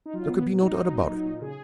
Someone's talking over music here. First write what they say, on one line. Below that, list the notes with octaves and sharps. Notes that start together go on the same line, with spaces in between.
There could be no doubt about it.
D#4
F#3 F4
A#2 B3
A#2
F#3 D#4
F#3
A#2
F#3
A#2
C#3 G#4